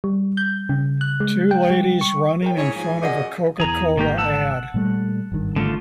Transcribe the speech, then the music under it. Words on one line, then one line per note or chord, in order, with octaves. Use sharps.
Two ladies running in front of a CocaCola ad.
G3
G6
C#3
F#6
G#3
G5
G3
C#6
A#4 C#5 G5
G#2 E4 G#4 C#5
F3 G#5
F#2 A#2 G#4 D5 D#5 F#5
E2 E3 G#4 A#5
G#1 D#3 A#3 G4
F#5 A5 E6
A#2 G3 A3
G#1 G2 D#3
D3 A3 F4